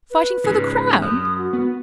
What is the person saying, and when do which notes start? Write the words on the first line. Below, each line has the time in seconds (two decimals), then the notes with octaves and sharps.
'Fighting for the crown?'
0.10 B4
0.44 G#2 C#3
1.01 F#2 D#6
1.38 F#4
1.53 B3